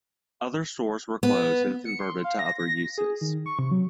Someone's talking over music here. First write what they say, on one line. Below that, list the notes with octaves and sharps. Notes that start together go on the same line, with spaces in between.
Other stores were closed and converted to other uses.
B3
C#7
C6
F5
A#6
A#6
G#4
D#3
C#6
C3
F#3